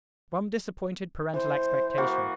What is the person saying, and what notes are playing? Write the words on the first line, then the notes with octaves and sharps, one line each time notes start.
Rum disappointed parental expectation.
E3 C5
E3 A#3 F#4